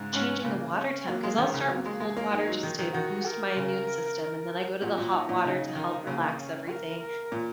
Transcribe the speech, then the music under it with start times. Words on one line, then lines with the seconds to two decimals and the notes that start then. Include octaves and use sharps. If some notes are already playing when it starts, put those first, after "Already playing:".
changing the water temp. 'Cause I'll start with cold water just to boost my immune system, and then I go to the hot water to help relax everything,
Already playing: G#2 C#3
0.13 G#2 C#4
0.45 C#3 A#3
0.76 C#4
1.07 F#3 A#3
1.23 G#3
1.38 D#3 C#4
1.54 C#3
1.69 F#3 A#3
1.86 G#3
2.00 G#3
2.17 A#3
2.32 G#3 D#4
2.48 F#3
2.63 D#3
2.79 D#3
2.94 D#3 F#4
3.25 A#4
3.56 C#3
4.82 A#2 F#4
4.98 A#2
5.13 D#4
5.29 A#2
5.45 C#3 D#4
5.75 D#3
6.06 C#3 A#3
6.38 C#4
6.69 A#4
7.00 A#4
7.32 A#2